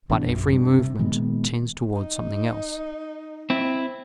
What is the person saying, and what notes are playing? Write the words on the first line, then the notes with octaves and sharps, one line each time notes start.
But every movement tends towards something else.
G#1 B2 E3 D4
A#1 F#2
G2
C3
A#2 D#3 G#3 B3
D#4
C4 E4